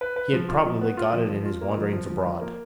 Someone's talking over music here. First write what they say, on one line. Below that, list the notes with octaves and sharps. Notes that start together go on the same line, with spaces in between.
He had probably got it in his wanderings abroad.
B4
B4
F3
F4
F3
B3
F4
F3
F3
F4
A#3
F3
F3
F3
F3
A#3